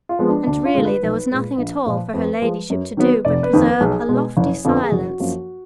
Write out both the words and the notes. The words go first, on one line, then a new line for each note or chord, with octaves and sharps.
And really there was nothing at all for her ladyship to do but preserve a lofty silence.
F4
F3 G#3 B3
D4
D2 D4
F4
D3 G#3
B4
B1
A#2 G#3
A#1
A#2 F3
F2 B4
F3 G#3
F#2
D#3 F#3 B3
F1 D5
B4
F2 D#3 A#3
B4
B1 G#4
B2 G#3 B3
F#1
F2 D3 F3 B3
G#4
F#1 F#4
F#2 F3 A#3